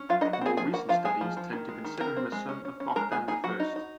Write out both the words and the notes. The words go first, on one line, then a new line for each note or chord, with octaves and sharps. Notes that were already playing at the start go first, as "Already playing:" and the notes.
More recent studies tend to consider him a son of Bogdan the First.
Already playing: C#4
F#3 F4 F5
D#4 D#5
F#3
F#4 F#5
C4 G#4 G#5
F3 G#4 G#5
A#3 F#4 F#5
F3 F4 F5
G#3 G#4 G#5
F3
F3
D#3
G#3
D#3
C4 A#4 A#5
C4
G#3
C#4
C#4
C#4
G#3 A#4 A#5
G#3 G#4 G#5
D#4 G#4 G#5
F#3 F#4 F#5
D#4
D#4